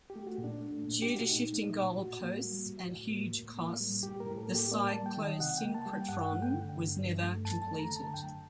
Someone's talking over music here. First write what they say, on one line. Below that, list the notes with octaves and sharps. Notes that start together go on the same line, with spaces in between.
Due to shifting goalposts and huge costs the cyclo-synchrotron was never completed.
G4
A3
F#4
A#2
D4
A3
A#2
A3 G4
F#4
A#2 D#4
A3
A#2
A2 F#4
A#3
G3
A2
A2
A#3
A2
A#3
G3
A2 G4
A#4
A2
A4
A#3
G4
A#3 D5
A5
G3
G5
D#3
D#5
C3 F#5
G5
A#3
A5
G3
G5
G2 F#5
F#5
A3
G5
D3
G2
G2
A3
F#2 A5
A5
A3
A#5
D3
A5
F#2 G5